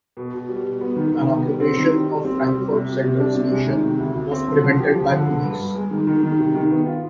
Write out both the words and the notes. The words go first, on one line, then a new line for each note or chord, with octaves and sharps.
An occupation of Frankfurt Central Station was prevented by police.
B2
B2
G3
B2
B3
D#3
D#3
B3
G3
C4
D#3
G3
G3
C4
G3
G3
C3
G3
C3
D4
C3
G#3
D#3
C3
D2
D2
C4
D3
F3
G4
F3
D3
D3
G2
G2
G#3
D#3
D#3
D#3
C3
D#3
B3
F4